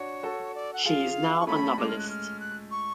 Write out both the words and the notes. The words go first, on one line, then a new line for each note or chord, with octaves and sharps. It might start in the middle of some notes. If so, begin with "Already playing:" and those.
She is now a novelist.
Already playing: D4 F#4 C#5
F#4 A4
D5
F#5
F4 G#4 F5
C#6
A3 C#4 B5
A3
G#3 D6
G#3 F6
F#6
F6
F#6
C#6